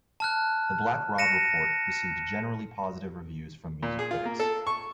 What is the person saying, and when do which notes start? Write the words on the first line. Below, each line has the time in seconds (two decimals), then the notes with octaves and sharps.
"The Black Rob Report" received generally positive reviews from music critics.
0.20 A5 F6 F#6
1.18 A#6 C#7 D#7 E7
3.83 A#2
3.99 G#4
4.11 F4
4.25 A#3
4.40 A4
4.67 C#6